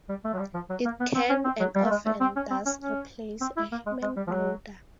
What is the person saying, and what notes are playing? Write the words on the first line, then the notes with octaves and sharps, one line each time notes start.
It can and often does replace a human loader.
G3
A3
F#3
G3
F3
F#3
A#3
B3
C4
C#4
C4
F#3
G3
A3
G#3
A3
C4
C#4
C4
C#4
C#4
C4
E4
A#3
G#3
G#3
G3
F3
F#3